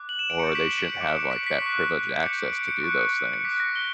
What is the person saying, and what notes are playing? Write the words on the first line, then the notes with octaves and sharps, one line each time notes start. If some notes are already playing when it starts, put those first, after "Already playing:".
or they shouldn't have like that privileged access to do those things.
Already playing: D6 F#6
F#7
E7
D7
C#6 G6 C#7
B6
C#7
D7
D6 F#6
C#7
B6
B6
C#6 F#6
D6 G6 C#7
D7
C#7
C#7
C#6 F#6
C#7
D6 F#6 B6
A#6
G7